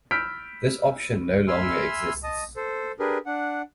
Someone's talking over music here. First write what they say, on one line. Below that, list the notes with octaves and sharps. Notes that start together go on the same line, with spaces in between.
This option no longer exists.
B5 E6 F6 G6 B6 D7
E5 G#5 B5 C6 E6 F6
D#5 A5 D#6
A4 C5
D4 G4 G#4 A#4 B4
D4 F#5